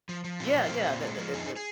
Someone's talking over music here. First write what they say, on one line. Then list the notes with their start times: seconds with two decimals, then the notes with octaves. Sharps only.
Yeah, yeah, the the the the
0.09 F3
0.24 F3
0.40 A#2 C4 F4
0.55 F3
0.63 C4 F4
0.71 A#2
0.86 A#2
1.02 G#3
1.18 F3
1.33 F2 D#4 G#4
1.56 G#4